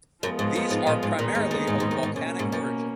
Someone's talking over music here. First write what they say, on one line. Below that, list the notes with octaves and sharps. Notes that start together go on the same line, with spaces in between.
These are primarily of volcanic origin.
F#2 F3 G#3 B3 F4
G#2
F#2
G#2
A#2
G#2
D#2 A#2 D#3 G#3 B3 D#4
G#2
F#2
G#2
G#2
F#2
G#2
F#2 B2 A#3 C#4
G#2
F#2